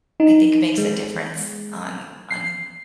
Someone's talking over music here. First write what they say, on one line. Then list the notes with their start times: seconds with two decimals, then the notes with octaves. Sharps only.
I think, makes a difference on on
0.20 D#4
0.78 G#3
2.31 C7